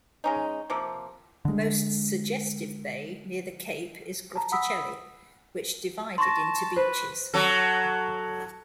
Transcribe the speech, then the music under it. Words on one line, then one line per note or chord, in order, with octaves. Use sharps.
The most suggestive bay near the Cape is Grotticelle, which divided into beaches.
G#3 C#4 D#4
C3 F3 A#3
D3 G#3
A5 A#5
F#5 B5 D#6 E6 B6
A5 C6 C#6 A#6
B4 C5
F#3 A4